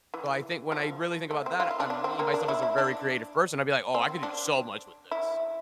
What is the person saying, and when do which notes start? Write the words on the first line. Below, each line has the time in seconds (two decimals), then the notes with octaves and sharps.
So, I think when I really think about that, um, me, myself as a very creative person, I'd be like, "Oh, I could do so much with this.
0.14 E3
0.72 F3
1.31 A3
1.46 C4
1.60 F4
1.71 E4
1.80 D4
1.90 D4
2.04 C4
2.19 A#3
2.34 D4
2.48 E4
2.63 E4
2.78 D4
3.95 C4
4.23 D4
5.11 E4